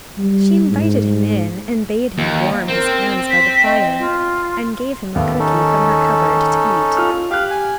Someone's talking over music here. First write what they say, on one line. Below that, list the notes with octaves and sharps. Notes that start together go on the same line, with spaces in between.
She invited him in, and bade him warm his hands by the fire, and gave him a cooky from her cupboard to eat.
G3
G#2
D#2
C4 A#4
B6
D#5
F4
D#2 A3 B3 F5
C#4 D#4 A4
F4 F6
G4 F5 F#6
G#5